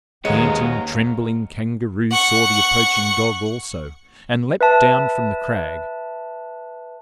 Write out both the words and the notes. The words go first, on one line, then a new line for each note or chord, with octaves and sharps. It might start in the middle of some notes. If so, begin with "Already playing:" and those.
The panting, trembling Kangaroo saw the approaching dog, also, and leaped down from the crag.
D#2 G#3 B3 C#4 F5 F#5 A#5 C#7
F#5 C#6
B4 E5 A5